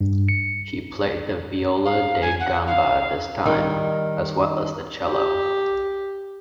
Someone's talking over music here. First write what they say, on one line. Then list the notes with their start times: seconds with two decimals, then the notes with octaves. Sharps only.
He played the viola da gamba at this time, as well as the cello.
0.01 G2
0.28 C#7
1.85 F5
2.22 G#5
2.40 F#5
2.67 F5
3.45 D#3 G3 D#4
5.07 G4